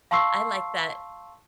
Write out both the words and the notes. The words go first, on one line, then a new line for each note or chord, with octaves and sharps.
I like that
F5 A5 C6 C#6 E6 C7